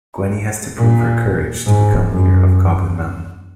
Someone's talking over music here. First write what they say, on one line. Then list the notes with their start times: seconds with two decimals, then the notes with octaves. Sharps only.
Gwenny has to prove her courage to become leader of Goblin Mountain.
0.78 A#2
1.66 G#2
2.10 F#2